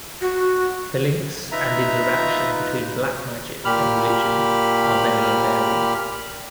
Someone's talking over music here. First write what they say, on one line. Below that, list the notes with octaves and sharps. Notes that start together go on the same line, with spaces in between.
The links and interaction between black magic and religion are many and varied.
F#4
D#4 F4 B4 E5 A#5
A#2 G4 B5 F6